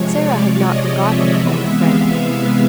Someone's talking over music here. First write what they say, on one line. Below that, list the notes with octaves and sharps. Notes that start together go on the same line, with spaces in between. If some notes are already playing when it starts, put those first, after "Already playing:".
Sara had not forgotten her old friend.
Already playing: C3 F3 G#3 C#5
D5
D#5
E5
C3 E3 G#3 B3
F5